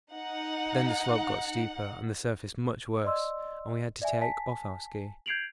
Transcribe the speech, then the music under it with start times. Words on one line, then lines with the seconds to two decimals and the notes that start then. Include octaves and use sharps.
Then the slope got steeper and the surface much worse, and we had to take off our ski.
0.13 D#4 F#5
3.04 D5 D#5 C6 E6
4.02 D5 E5 G#5
4.21 G#5 A5 B6
5.26 G6 G#6 C7 D7 F7 F#7